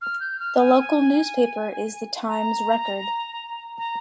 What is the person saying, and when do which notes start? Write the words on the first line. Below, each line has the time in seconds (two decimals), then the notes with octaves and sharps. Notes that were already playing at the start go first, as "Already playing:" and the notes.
The local newspaper is "The Times-Record".
0.02 F6
0.20 G6
0.39 F6
0.58 G#5
2.28 A#5
3.78 A#5